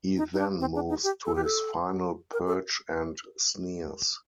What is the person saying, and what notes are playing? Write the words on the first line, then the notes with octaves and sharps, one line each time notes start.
He then moves to his final perch and sneers.
D#4
D#4
D4
C4
D4
D#4
G4
A4
G4
A4
A#4
A4